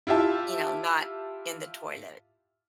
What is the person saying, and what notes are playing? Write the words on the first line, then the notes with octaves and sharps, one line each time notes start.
you know, not in the toilet.
E4 F4 G4 E5 A5